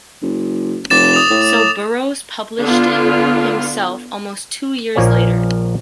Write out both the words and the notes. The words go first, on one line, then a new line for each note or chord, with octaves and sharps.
So Burroughs published it himself almost two years later.
F#1
F1 D6 A6 E7
D#6 F7
A2
D3 B3 F4
A#1 F3 A#3 C#5 D5 G#5